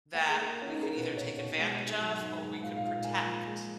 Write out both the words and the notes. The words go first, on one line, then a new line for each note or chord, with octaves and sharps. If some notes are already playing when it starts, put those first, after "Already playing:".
that we could either take advantage of or we could protect.
A#3 F#5
G#4
A#3
A#4
A#3
C#4
D#4
A#3
A#4
B2 B4
B2 C#5
B2 C#5
G#3 F#5
G#2
F#3
G#2
G#2
A#2 F5
F5
A#2
F5
A#3 G#5
F3
G#3